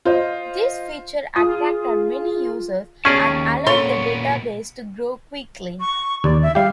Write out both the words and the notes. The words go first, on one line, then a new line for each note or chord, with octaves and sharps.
This feature attracted many users and allowed the database to grow quickly.
F4 C5 D#5
F4 G#4 D#6
D#2 C#4 G#4 D5 A5 C#6
A#2 B3 A4 C#5 C6
C#6
D#2 D5
E5
G3 G4 F5